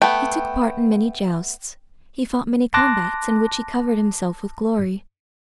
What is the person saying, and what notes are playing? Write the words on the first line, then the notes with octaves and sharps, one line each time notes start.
He took part in many justs; he fought many combats, in which he covered himself with glory.
A3 B3 G5
A5 C6 D6 F#6 A#6